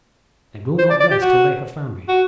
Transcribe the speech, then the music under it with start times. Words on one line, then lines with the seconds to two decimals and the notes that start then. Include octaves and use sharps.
They will not rest till they have found me.
0.78 C5
0.90 D5
1.00 D5
1.11 G4
1.22 F#4
2.08 F#4